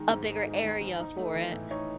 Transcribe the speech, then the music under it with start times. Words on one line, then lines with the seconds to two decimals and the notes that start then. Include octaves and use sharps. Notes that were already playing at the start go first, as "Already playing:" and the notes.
a bigger area for it,
Already playing: D#3 G#3 D#4
0.10 G#2
0.27 D#4
0.45 G#3
0.63 D#3
0.81 G#2
1.00 D#4
1.17 A3
1.35 E3
1.53 A2
1.70 D#4 C#5